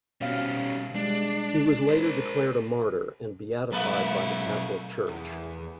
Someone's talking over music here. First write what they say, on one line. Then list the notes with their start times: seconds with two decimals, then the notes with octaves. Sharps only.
He was later declared a martyr and beatified by the Catholic Church.
0.21 B2 G3 C4 C#4 F5
0.95 G3 G#3 D4
1.89 A#4 C5
3.72 B1 A3 A#3 E4 B4
5.08 E2